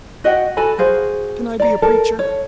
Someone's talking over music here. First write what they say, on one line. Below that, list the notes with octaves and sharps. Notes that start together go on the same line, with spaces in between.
Can I be a preacher?
F#4 D#5 F#5 G5
F#4 A4 G#5 B5
F#4 G#4 C5 F5
D5 A#5
A4 A#4 A5
C#5